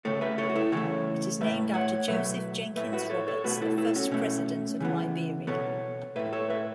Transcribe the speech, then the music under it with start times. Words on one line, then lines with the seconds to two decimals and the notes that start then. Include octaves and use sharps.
It is named after Joseph Jenkins Roberts, the first president of Liberia.
0.05 C#3 A3 A4 C#5
0.21 B4 E5
0.38 A4 C#5
0.49 F#4
0.56 E4 A4
0.72 C#3 E3 A3 A4 C#5
1.41 A2 A3 B4 E5
1.74 C#5 F#5
2.08 B2 F#3 A3 B4 E5
2.76 A2 A3 B4 E5
2.93 F#4 B4
3.10 A4 C#5
3.27 A4 C#5
3.44 B2 A3 F#4 B4
3.61 E4 A4
3.78 E4 A4
3.95 C#4 F#4
4.11 B2 A3 C#4
4.80 C#3 E3 B3
5.47 B2 B3 A4 C#5
6.16 A2 A3 B4 E5
6.33 A4 C#5
6.50 B4 E5